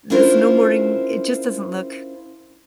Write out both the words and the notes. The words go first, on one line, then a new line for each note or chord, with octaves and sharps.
the snowboarding, it just doesn't look
C#4 D4 E4 F4 A#4 C5